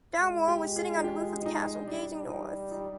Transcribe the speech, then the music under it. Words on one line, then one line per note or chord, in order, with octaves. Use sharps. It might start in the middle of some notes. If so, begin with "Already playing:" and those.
Dalmor was sitting on the roof of the castle, gazing north.
G#3
G4
G#4
F4
G4
D#4
G3 D4
D#4
D#4